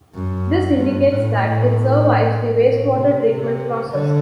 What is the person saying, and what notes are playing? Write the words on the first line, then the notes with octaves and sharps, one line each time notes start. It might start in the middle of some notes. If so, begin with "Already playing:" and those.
This indicates that it survives the wastewater treatment process.
F#2
G2
A2
A2
C3
C3
D3